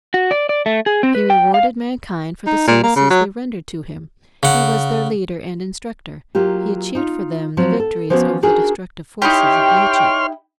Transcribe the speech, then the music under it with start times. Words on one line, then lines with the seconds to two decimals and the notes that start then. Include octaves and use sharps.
He rewarded mankind for the services they rendered to him; he was their leader and instructor; he achieved for them the victories over the destructive forces of nature.
0.14 F#4
0.31 D5
0.49 D5
0.66 A3
0.86 G#4
1.03 C4
1.15 B4
1.30 G5
1.54 F5
2.47 D#4
2.67 A#2
2.84 A#3
2.96 C#3
3.10 F#3
4.43 C#3 F#5
6.35 F#3 A#3 F4 G4
6.95 D#4 F4
7.57 F3 F#3 C4
7.80 A4
8.10 F3 A#3 B3 C#4 F#4
8.43 D4 D#4 F#4 G#4 A#4
9.22 D#4 E4 G4 C#5 G5 C6 F6